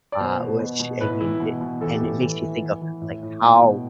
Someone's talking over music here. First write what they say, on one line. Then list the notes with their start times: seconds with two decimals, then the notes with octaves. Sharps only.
uh, which I mean, it and it makes you think of like, how
0.12 D5
0.20 B2 C5
0.40 B2
0.60 B2
0.80 B2
1.01 A2 B4
1.21 E3 E4
1.40 B2
1.61 B2
1.81 E3 A4
1.88 G4
1.95 A4
2.01 A2
2.22 E3
2.42 E3
2.62 E3
2.82 E3
3.02 A2
3.22 A2
3.42 B2 G5
3.62 B2